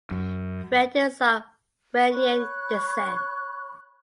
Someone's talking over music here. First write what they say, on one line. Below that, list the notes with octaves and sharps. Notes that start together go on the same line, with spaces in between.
Rad is of Iranian descent.
F#2
C#5 B5 C#6 F#6